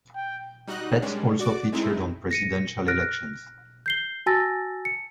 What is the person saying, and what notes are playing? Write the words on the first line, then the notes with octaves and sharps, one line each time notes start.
Pets also featured on presidential elections.
G5
G3 D#4 F#4 D#5 F#6
G3 G#3 C#4 D4
F#4 D5 D6
G#3 A3 C4 D#4 E4
A#6 C#7 D#7
F6 F#6 A#6 D7
G6 C7 G7
F#4 G#5 A5 E6 A6 A#6
C#7